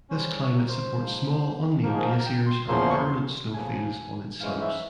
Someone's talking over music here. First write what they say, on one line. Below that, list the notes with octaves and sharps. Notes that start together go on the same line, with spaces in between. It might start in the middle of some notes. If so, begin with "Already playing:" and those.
This climate supports small unnamed glaciers and permanent snowfields on its slopes.
C#3 G3 C#4 C5
C#5
A#4
C5
G#2 F3 A#3
G#2 F3 A#3 A#4
G#4
A#4
G5
C6
E2 C#3 F3 A#3 C6
C#6
C6
E2 C#3 F3 A#3 G#5
G#2 E3 G#3 C#4 F5
E5